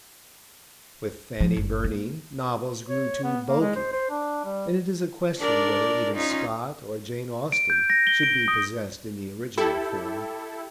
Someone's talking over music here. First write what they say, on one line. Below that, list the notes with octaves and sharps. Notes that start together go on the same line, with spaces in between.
With Fanny Burney, novels grow too bulky, and it is a question whether even Scott or Jane Austen should be possessed in the original form.
F3
F#1
A#3
C#5
B3
A#3
G#3
C5
C5
D4
G3
D4 A#4 D5
C#4 D#4 F4
D7
G6
A#6
G7
D7
D#6
E4 G4 A4